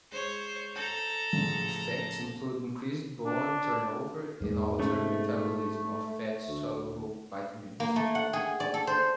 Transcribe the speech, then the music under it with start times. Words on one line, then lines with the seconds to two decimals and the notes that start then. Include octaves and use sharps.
Effects include increased bone turnover and altered metabolism of fat-soluble vitamins.
0.12 G#3 C5 C#5
0.76 A4 A#5 G6
1.33 A1 C#3 F3
3.25 D4
4.41 E2 G#2 G#3
4.80 A3 C#4
6.48 D2
7.80 A#3
7.96 A3
8.15 F#5
8.33 G#4
8.60 D5
8.74 A4
8.87 C5